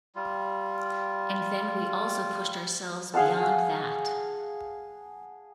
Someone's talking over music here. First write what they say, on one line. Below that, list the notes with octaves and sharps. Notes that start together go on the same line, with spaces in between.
And then we also pushed ourselves beyond that.
G3 F4
G#4 F5 F#5 A5